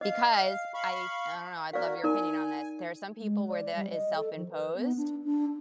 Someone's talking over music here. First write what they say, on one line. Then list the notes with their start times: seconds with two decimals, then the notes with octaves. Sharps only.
Because I I don't know, I'd love your opinion on this, there's some people where that is self-imposed
0.01 D#5 F5
0.74 F5 B5 C#6
1.73 F#4 A#4 D5 F5
2.04 D#4 A#4 D5 G#5
3.21 G#3
3.49 D5
3.75 G3
3.92 D#5
4.17 A4
4.37 F3
4.51 B4
4.77 B3
4.97 D4
5.25 D4